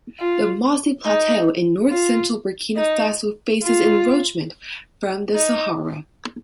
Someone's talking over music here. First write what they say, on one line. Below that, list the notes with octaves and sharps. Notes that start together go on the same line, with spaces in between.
The Mossi Plateau in north central Burkina Faso faces encroachment from the Sahara.
F4
D#4
F4
D#4
F4
D#4